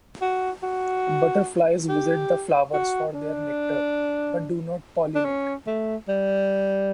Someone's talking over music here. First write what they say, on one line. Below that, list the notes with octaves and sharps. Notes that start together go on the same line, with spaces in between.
Butterflies visit the flowers for their nectar, but do not pollinate.
F#4
F#4
G4
F#4
D4
D4
C#4
A3
G3